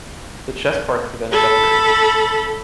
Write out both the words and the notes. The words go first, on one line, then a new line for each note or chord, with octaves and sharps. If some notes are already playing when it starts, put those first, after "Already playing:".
The chess parts were then separated.
A4 B5